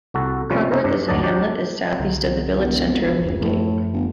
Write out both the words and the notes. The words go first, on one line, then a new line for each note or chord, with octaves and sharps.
Cudworth is a hamlet is southeast of the village centre of Newdigate.
C2 F#4 A4
C3 F3 G3 C#4 F4
C3 C#4 D#4
G2 D4
G#1 D2 F#3 D5 D#5 A5
F#3 D4 G4 D5
C2 D3 F#3
E1
B1 E3
F#1 D2
F#2 A2 F3 A3
G1